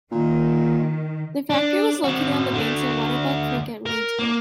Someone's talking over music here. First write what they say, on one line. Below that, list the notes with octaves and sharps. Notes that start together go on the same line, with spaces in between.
The factory was located on the banks of Webatuck Creek at Leedsville.
A#2 D#3
D4
C4 F#4
D3 A3
A#4
A#3